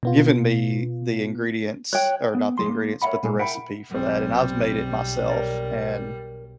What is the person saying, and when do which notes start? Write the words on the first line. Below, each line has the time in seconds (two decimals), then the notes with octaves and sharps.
given me the ingredients or not the ingredients, but, the recipe for that, and I've made it myself and
0.03 B2 B3 F4
1.93 C#5 G5 F#6
2.35 B3
2.58 F2 G#3 C6
2.69 A#3
3.02 A#4 C#5 D#5 E5 F#5 B5
3.23 A#2 G#3
3.39 E4 A#4 E5 F#5 G5 B5
3.91 B1 F#2 G3 C4
5.30 A#4 C#5 D5